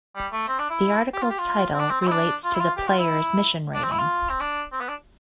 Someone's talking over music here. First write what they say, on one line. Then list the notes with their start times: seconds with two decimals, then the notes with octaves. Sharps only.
The article's title relates to the player's mission rating.
0.15 G3
0.32 A3
0.48 C4
0.59 D4
0.70 E4
1.13 G4
1.21 F4
1.30 G4
1.38 F4
1.74 C4
1.79 D4
1.90 C4
2.01 C4
2.07 E4
2.11 D4
2.44 F4
2.55 E4
2.60 F4
2.77 G4
2.87 F4
2.98 E4
3.74 D4
3.83 C4
3.91 E4
3.99 F4
4.30 C4
4.40 D4
4.72 C4
4.81 B3
4.89 D4